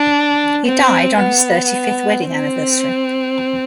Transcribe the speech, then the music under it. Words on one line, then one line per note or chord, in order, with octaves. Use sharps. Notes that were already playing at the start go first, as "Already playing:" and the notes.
He died on his thirty-fifth wedding anniversary.
Already playing: D4
C4
B3
C4